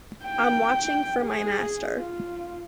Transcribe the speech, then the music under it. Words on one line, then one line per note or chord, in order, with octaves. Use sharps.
I'm watching for my master.
G5
G#4
F4